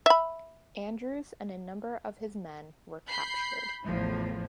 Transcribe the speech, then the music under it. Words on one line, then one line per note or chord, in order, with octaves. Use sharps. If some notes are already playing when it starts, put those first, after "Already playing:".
Andrews and a number of his men were captured.
E5 B5
B5 G6 C7
A1 E2 A2 F3